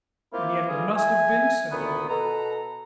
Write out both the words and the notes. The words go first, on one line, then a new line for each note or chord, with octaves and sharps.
And yet it must have been so!
A#3 C4 E4 F4 G4
D3 E3 G3 F4 G#4
E5 G#5
D2 A#2 D#3 B3
B2 A4 B4 A#5